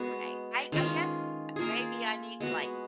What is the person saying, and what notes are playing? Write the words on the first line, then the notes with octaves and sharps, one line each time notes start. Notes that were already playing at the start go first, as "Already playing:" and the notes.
Right, I I guess maybe I need to, like,
Already playing: G#3 B3 F#4
D#3 G#3 C#4 F4
A#3 F4 G#4
G#3 B3 F#4